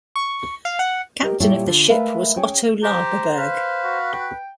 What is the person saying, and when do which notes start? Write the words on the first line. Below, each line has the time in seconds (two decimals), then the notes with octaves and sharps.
Captain of the ship was Otto Lagerberg.
0.16 C#6
0.65 F5
0.79 F#5
1.22 G4 A#4 C5 D#5
1.40 A#2 G3 E4 G4 A4 C#5
1.67 D3 F4 A4
1.89 G#3 A3 A#4 B4 E5 F5
2.36 C#4 G#4 C#5 G5
2.83 G4 C5 A#5
3.38 B4 F5
3.84 F#4
4.13 G5